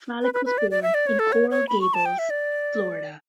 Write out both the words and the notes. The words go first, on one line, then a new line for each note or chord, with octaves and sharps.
Fralick was born in Coral Gables, Florida.
B4
B4
B4
D5
D5
E5
D5
C#5
A4
C#5
C#5
B5
C#6
A5
G5
E5
D5